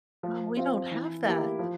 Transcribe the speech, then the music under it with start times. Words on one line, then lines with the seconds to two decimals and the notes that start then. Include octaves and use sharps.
Oh, we don't have that.
0.23 F3
0.57 C4 F4
0.91 E3
1.25 A#3 E4 G4
1.59 F3